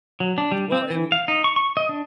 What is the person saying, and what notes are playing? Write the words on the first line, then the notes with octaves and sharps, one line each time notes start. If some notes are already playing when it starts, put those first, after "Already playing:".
Well, and
F#3
D4
G3
C4
E3
F5
D#4
C#6
C#6
D#5
D4